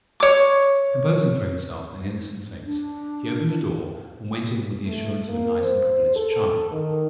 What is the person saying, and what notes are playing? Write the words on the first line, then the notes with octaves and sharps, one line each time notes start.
Composing for himself an innocent face, he opened a door, and went in with the assurance of a nice and privileged child.
C#5 D6
D4
A3
A#3
C5
A4
D#3